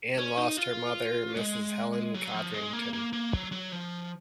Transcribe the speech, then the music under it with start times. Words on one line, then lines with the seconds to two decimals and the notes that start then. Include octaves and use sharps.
Ann lost her mother, Mrs. Helen Codrington.
0.18 C#4
0.37 D#4
0.57 F4
1.36 G#3
2.14 F#3
2.34 F3
2.54 G#3
2.73 A#3
2.93 A#3
3.13 A#3
3.32 F#3
3.52 F#3
3.72 F3